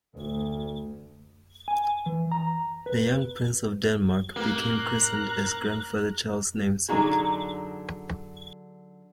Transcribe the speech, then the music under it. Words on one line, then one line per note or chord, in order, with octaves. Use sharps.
The young Prince of Denmark became christened as grandfather Charles' namesake.
D2
G#5
E3
A#5
B4
A2 C3 A#3 A#5 F#6
D3 F#3 D4 D#4 F#4 G#4